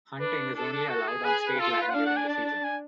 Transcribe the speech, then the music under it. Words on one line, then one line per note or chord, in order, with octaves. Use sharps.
Hunting is only allowed on state land during the season.
D4 B4
D4 A4
D4
F#4
G#4
G#4 B4
B4
F4 A4
A4
B4
F#5
D4 F5
F#5
G#5
A5
A5
G#5